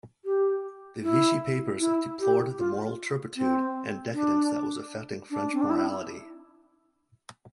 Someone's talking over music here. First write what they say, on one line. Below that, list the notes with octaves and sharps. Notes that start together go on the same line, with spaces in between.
The Vichy papers deplored the moral turpitude and decadence that was affecting French morality.
G4
E4
E4
G4
F4
C4
D4
D4
C4
D4
E4